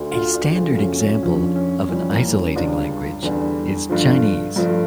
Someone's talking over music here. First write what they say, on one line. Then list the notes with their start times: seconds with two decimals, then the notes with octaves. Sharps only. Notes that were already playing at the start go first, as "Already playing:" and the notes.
A standard example of an isolating language is Chinese.
Already playing: D2 D3 A3
0.11 F4
0.34 D4
0.55 D2 C#3 F3 A3 D4
0.78 C#4
1.00 C#4
1.23 F2 D3 F3 C#4
1.56 C#4
1.89 F2 E3 G3 C#4
2.11 A#3
2.34 C#4
2.56 C#2 C#3 G3 D4
3.23 E2 D3 G3
3.89 G2 D3 F3
4.56 G2 F3 A3